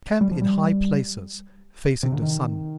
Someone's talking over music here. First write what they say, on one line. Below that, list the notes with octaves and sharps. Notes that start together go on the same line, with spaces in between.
Camp in high places, facing the sun.
G3
F3
G3
C3
D3
D#3